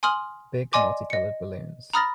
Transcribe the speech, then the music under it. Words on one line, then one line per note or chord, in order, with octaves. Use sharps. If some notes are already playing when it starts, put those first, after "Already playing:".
Big multicolored balloons.
G#5 C6 D#6 F6 F#7
D5 D#5 G#5 C6 D6
D#5 C#7
A#5 B5 D#6 F6 A6 A#6